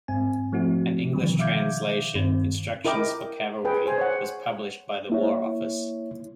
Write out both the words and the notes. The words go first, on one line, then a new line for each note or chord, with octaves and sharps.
An English translation, "Instructions for Cavalry", was published by the War Office.
G#2 C4 G#5
F3 A3 C4 E4 F#4
B2 D3 D#3 F3 G3
E5 F5 D6 G6 G#6
G2 D#3 C4
E4 A#4 D#5 G5 D6
G#4 B4 G5
C5 G#5
C#5 F#5
A#3 E4 C#5